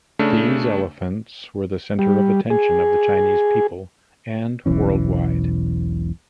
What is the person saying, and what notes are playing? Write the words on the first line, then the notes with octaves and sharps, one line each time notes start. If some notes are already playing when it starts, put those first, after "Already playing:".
These elephants were the center of attention of the Chinese people and worldwide.
C#3 A3 D4
G3
G#4
E1 B1 E3 C#4